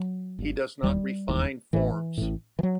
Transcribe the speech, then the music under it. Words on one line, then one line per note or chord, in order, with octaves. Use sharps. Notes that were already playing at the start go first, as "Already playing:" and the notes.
He does not refine forms.
Already playing: F#3
G1 G2
E1 D#2 G3
E1 D#2
A1 A2 E3
A1 A2
E3
F#3